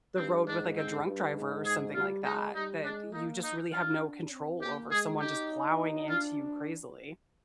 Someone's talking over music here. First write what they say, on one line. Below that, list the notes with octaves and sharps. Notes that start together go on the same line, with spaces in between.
the road with, like, a drunk driver or something like that, that you just really have no control over someone just plowing into you crazily.
G2 C4
G#2 D4
C4
G2
G#2
G#4
G3 F4
G#3 D#4
G3 D#4
G#3 D4
A#3 D#4
D#4
D4 F4
C4
A#3 G4
G#3 G#4
D#4 G4
D4 F4